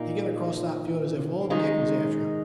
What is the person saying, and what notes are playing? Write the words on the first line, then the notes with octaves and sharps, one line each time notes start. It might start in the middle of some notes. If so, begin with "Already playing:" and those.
He got across that field as if Old Nick was after him.
Already playing: A#2 A#3 D#4
D#3 G#3 D#4